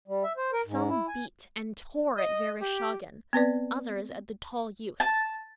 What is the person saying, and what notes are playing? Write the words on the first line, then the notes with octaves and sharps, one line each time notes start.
Some beat and tore at Vereshchagin, others at the tall youth.
G3
E5
C5
A#4
G#2
E4
G#5
D#5
G4
B3 C4 B4 D5
A5